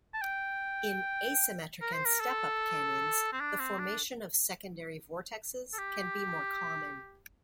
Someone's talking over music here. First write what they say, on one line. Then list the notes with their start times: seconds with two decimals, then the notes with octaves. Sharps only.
In asymmetric and step-up canyons the formation of secondary vortexes can be more common.
0.14 A5
0.22 G5
1.81 A#4
1.93 C5
2.06 A#4
2.21 A4
3.33 C4
3.40 D4
3.60 C4
3.79 D4
5.73 A4
5.78 G4